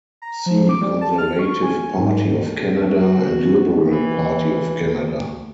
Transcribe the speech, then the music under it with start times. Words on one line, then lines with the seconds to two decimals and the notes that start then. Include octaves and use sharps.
See Conservative Party of Canada and Liberal Party of Canada.
0.22 A#5
0.46 F3
0.69 D6
0.82 G3
1.01 A5
1.18 F6
1.39 C#6
1.62 G#5
1.97 G#2
2.72 D#2
2.89 F#4
3.89 E3